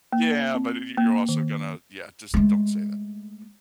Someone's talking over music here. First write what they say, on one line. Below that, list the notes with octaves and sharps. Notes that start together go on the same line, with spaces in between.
Yeah, but y you're also gonna yeah, just don't say
A#3
C4
A#3
D#3
G#3 A3